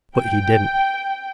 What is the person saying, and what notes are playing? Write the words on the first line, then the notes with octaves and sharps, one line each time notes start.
But he didn't.
G5